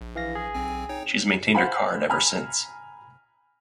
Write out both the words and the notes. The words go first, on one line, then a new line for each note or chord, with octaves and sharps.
She has maintained her card ever since.
A#1
E3 F5 A#6
G#4
B1 C4 G#5
D#4 C#5 G5
C5 F5 F#5 G#5 B5 C6
G#5 A#5 B5 F6